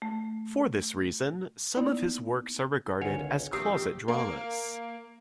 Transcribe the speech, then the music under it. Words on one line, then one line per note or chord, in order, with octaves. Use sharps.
For this reason, some of his works are regarded as closet dramas.
A3
A#3 B3 D#4 E4 D5
G#1 C#2 D3 B4 C#5 F#5 G#5
A#1 E2 D#3 C4 G4 D#6 E6 C7
A#3